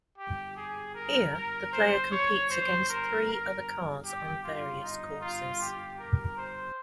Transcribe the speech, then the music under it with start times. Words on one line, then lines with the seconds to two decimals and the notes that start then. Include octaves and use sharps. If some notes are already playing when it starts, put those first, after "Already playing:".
Here the player competes against three other cars on various courses.
0.18 G4
0.56 G#4
0.94 A#4
1.33 A#4
1.73 C5
2.11 C#5
2.50 C5
2.89 A#4
3.28 A#4
4.04 G4
4.43 F4
4.83 D#4
5.21 F4
5.60 G4
5.98 A#4
6.37 C5